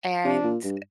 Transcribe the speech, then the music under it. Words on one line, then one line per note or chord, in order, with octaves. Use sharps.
and eh,
C3 D4
A#2
G2